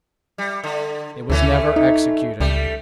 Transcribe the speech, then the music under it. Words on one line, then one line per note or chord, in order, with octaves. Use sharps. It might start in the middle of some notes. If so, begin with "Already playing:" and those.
"It was never executed."
G3
D3
D2 E3 A3 C#4
D#4
C#2 G3 A3